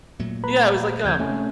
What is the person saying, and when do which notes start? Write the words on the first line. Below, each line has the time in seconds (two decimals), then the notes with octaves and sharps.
Yeah, it was like, um,
0.20 A#2 F#3 A3
0.44 B4 A#5 B5
1.04 D#2 C#3 F3 A#3 G6 G#6
1.19 C3 A3 C#4